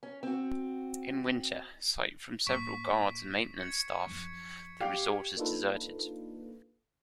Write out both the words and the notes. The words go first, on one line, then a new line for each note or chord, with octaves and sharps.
In winter, aside from several guards and maintenance staff, the resort is deserted.
C#4
C4 F#4
A2 A#3 C#6 B6 D7
G#6 C#7
F#2 F3
G4 F5 G5
A#3 D4 D#4 F4 A4 B4